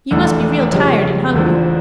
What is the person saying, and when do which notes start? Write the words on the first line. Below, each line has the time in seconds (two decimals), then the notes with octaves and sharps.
You must be real tired and hungry.
0.11 F1 E2 D3 A3
0.72 F2 C#3 G3 C#4
1.33 E1 E2 D3 F3